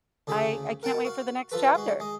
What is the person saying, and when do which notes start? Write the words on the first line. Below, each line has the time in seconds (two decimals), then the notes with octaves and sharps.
I I can't wait for the next chapter.
0.27 D2 C#3 G#4 A4 B5
0.83 A#4 F#5 G5 A5
1.05 F#4 F5
1.52 F3 F4 A4 B4
1.75 G#3 F#4
2.00 G#3 D#5